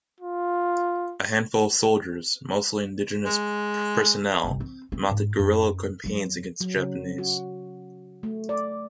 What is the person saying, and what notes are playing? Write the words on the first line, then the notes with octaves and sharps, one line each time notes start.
A handful of soldiers, mostly indigenous personnel, mounted guerilla campaigns against the Japanese.
F4
G#3
G1 C2
C4
C4
G#2
F#2
F#2 F#3
F#3
C#3
F#4
A3
D5